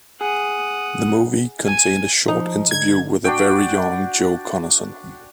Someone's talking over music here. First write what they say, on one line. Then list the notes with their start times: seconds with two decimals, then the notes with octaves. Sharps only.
The movie contained a short interview with a very young Joe Conason.
0.21 G#4 F#5 D#6
1.66 G#5
2.28 F3 D#4
2.71 D3 G#6
3.24 D4 F#4 G5